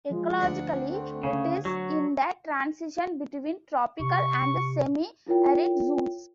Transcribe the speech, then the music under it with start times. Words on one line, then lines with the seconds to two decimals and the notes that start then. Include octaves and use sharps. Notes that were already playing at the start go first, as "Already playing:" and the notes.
Ecologically, it is in the transition between tropical and semi-arid zones.
0.10 F3 G#3
0.39 D2 D4 F#5
0.89 A3 C4
1.23 C#3 G#5
1.65 F#3 F#4 C#6
4.00 C3 C#6
5.27 E4 F4 A#4 C#5 G5